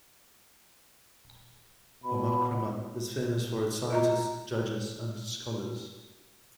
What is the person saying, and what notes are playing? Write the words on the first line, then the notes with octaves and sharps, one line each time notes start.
Bamakhrama is famous for its scientists, judges, and scholars.
B2 B5
F4 D#5 A#5